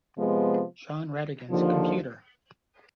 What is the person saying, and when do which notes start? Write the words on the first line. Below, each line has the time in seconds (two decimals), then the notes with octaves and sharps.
Shawn Ratigan's computer.
0.15 C3 F3 G#3 B3
1.50 D#2 D3 F3